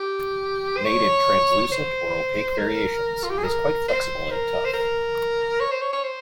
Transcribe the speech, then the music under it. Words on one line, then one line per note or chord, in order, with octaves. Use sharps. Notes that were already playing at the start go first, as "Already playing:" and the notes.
Made in translucent or opaque variations, it is quite flexible and tough.
Already playing: G4
C5
C#5
C5
A#4
F4
G4
G#4
A#4
C5
A#4
C5
A#4
C#5
C5
C#5
C#5
C5